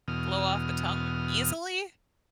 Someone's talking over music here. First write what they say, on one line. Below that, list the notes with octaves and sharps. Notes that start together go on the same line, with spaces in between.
flow off the tongue easily
E2 B2 D#6 F6